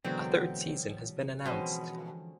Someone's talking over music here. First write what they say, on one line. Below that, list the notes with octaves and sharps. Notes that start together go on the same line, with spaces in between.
A third season has been announced.
B2 D3 E3 F#3 G#3 A#3 C4
B2 D3 E3 F3 G#3 C4 C#4